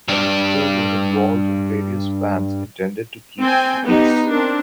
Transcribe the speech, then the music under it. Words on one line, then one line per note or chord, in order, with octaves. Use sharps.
Forrester was involved in various bands intended to keep the peace.
G2 D4
C4 G5 G#5
B3 D#4 G4
C4 D4 A#4